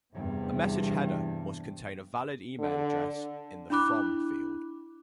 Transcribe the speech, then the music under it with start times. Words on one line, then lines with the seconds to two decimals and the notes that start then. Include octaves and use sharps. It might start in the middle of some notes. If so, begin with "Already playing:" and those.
A message header must contain a valid email address in the From field.
0.14 E2 G2 C3
2.59 D3
3.70 D4 E4 B5 D6 F#6